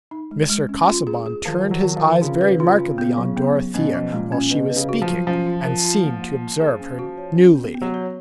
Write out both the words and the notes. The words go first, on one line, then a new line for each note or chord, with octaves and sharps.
Mr. Casaubon turned his eyes very markedly on Dorothea while she was speaking, and seemed to observe her newly.
D#4
G#3
G#3
C#4
F4
G#4
G#4
D#3 F3
D#3
F#3
D#3
F3
D#3
C#3 F4
B4
F4
F4
B3
F#3
B3
F#3
B2 C#4
F3
A#2 G#3
C#4
B2 B4
B4
C#3
F#4
F3
F#3
F3 C#4
F4
A#4
F4
A#3
A#3
A#3
G#4
C#4
F#4
C#5
C#4
B3
B3
F#3
C#5